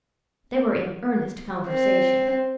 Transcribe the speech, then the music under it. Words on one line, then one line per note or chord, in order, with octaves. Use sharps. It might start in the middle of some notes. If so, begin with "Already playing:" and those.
They were in earnest conversation.
C4